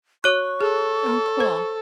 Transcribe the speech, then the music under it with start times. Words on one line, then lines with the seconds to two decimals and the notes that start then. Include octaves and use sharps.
Oh, cool.
0.24 F#4 C#5 C#6 D6 F#6
0.61 G#4 A4
1.40 C5